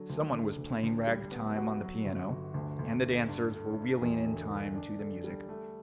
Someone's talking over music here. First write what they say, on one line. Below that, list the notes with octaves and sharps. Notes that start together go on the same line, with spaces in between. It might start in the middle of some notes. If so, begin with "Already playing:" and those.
Some one was playing rag-time on the piano, and the dancers were wheeling in time to the music.
Already playing: D3 F#3
D2
D3
D2
D2
G3
B3
F#4
F#3
G1
G1
D2
D2
D3
G2
D3
A3
E1
D3
D3
D4
D3
G3
A3